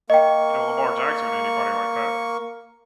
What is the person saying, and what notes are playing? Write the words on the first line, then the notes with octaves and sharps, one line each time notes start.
you know, Lamar Jackson or anybody like that
A#3 D#5 G5 C#6